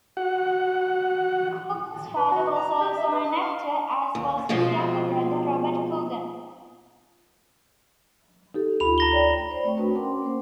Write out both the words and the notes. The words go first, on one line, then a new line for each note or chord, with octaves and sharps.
Coogan's father was also an actor, as was his younger brother, Robert Coogan.
F#4 F#5
B4
F#4
A#5
G4
E5
B4
D#5
F5
D#2
B2 F3 G#3 C4 F4
D#4 G4 A4
D2 F4 B5 F7
A#5 A#6 G7
C#5 D5 G5
C5 D5 B5
A3 C4 C#5 G5 C#6
D4 F#4 B4 A5
C#4 A#4 F#5 G5 C6 D6
A#3 C5